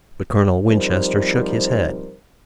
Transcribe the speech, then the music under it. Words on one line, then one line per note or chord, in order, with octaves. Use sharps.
But Colonel Winchester shook his head.
F3 G3 C4 D#4 A#4 C5